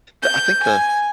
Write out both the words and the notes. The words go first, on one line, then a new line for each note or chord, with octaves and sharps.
t I think the
G6
G#5